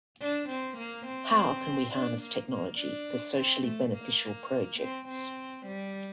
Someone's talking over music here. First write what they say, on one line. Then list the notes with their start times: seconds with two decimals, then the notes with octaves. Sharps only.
How can we harness technology for socially beneficial projects?
0.21 D4
0.49 C4
0.77 A#3
1.06 C4
1.93 D4
2.22 A#3
2.51 A#3
2.79 D4
3.36 C4
3.65 A3
3.94 A#3
4.80 C4
5.08 C4
5.66 G3